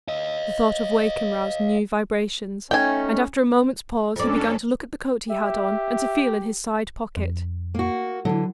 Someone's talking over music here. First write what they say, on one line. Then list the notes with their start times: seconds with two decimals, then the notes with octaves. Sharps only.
The thought of Wakem roused new vibrations, and after a moment's pause he began to look at the coat he had on, and to feel in his side-pocket.
0.08 D#5 F5
2.71 A3 C#4 D#4 G5 G#5
4.16 F2 C#4 D4 A4 D5
5.29 G4 E5
7.17 F2
7.75 A#3 F#4
8.25 D3 E3 F#3